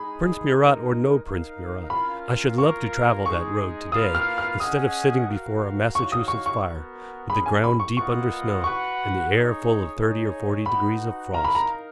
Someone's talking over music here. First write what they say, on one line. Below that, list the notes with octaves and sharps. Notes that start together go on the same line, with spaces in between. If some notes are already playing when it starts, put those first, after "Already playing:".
Prince Murat, or no Prince Murat, I should love to travel that road to-day, instead of sitting before a Massachusetts fire, with the ground deep under snow, and the air full of thirty or forty degrees of frost.
Already playing: G#3 D#4 G#4 B5
G#3 D#4 A#4
D#4 A#4 F5
C#4 F4 A#4 F5 B5
A#3 F4 A#4 F5 C#6
G#3 D#4 G#4 C#6
A#3 F4 B4 F5 D#6
F6
F6
C#4 G#4 D#5 F#5 D#6
F#4 A#4 F5
D#4 F#4 C#5 F5 C#6
D#6
C#6
C#6
B3 F#4 A#4
A#3 C#4 G#4 B5
G#5
B5
C#6
A#3 F4 B4 D#5 F#5 C#6
F#4 B4 F#5 C#6
D#4 G#4 C#5
D#4 G#4 C#5
D#4 F#4 B4 F#5 B5
D#4 A#4 F5 A#5
B5
A#5